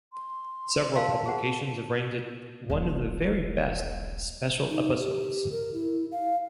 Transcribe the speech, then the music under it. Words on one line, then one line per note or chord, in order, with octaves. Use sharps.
Several publications have ranked it one of the best very special episodes.
C6
A#4 F5 A5 C6
G#4 C5 F#5
D#1 A#1
D#4
G4
A#4
E4
F5